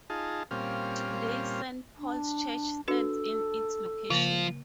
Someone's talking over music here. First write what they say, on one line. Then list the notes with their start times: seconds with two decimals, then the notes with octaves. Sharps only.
Today Saint Paul's Church stands in its location.
0.10 D#4 F4 G#4 A5
0.51 A#2 G3 C4 C#4 F5
1.98 D4
2.88 D4 F#4 A4 B4
4.10 C#3 F3 A#3 F4